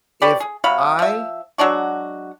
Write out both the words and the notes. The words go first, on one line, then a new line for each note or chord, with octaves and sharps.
If I
G4 B4 C#5 D5
G#4
C3 F#3 F5 B5
F3 E5
F#3 G#3 D4 F#4